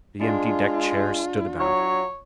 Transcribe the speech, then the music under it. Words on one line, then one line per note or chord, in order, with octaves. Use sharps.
The empty deck chairs stood about.
G#3 D4 F4
F#3 C#5